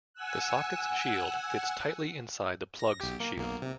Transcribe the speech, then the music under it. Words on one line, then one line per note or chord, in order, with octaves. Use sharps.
The socket's shield fits tightly inside the plug's shield.
F#5 G#5 E6 F#6
A#6
B1 G4
A#3
B1 A#3
C3